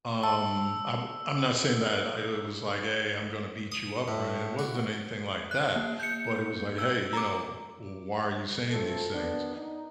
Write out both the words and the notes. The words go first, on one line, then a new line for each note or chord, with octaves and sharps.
Um, I'm I'm not saying that I, uh, was like, "Hey, I'm gonna beat you up," or anything, it wasn't anything like that, but it was like, "Hey, you know, w why are you saying these things?"
A5 E6
D#6
A2
F#4
F#6
A#3
G6 C#7
E6
A#5 D6
B2 D#3 F3 A3 A4
D2 D#3 B3 D4
D#4